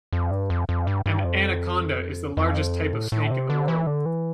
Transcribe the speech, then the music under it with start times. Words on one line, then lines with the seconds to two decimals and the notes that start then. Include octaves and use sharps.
An anaconda is the largest type of snake in the world.
0.13 F2
0.31 G2
0.50 F2
0.69 F2
0.87 G2
1.06 G2
1.24 F2
2.37 F2
2.93 A2
3.12 A2
3.31 C3
3.50 D3
3.68 E3
3.87 D3
4.05 E3